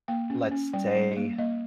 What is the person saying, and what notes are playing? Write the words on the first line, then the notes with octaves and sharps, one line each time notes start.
let's say,
A#3 G5
C#4
C#4
G3 G5
G3
A#3
A#3 D#5